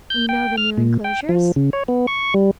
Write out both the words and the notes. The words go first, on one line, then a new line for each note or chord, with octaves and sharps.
You know the new enclosures?
G6
G5
F6
A#2
G5
F3
C#3
C#5
B3
C#6
G3